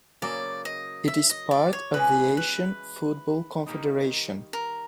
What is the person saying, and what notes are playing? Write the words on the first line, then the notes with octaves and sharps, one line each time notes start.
It is part of the Asian Football Confederation.
C#3 F#3 A#3 D5
D#5
E5
D#5
D5
C#5
E3 G#3 C#4 F#4 B4
B4
D#3 G3 A#3 D#4
A#4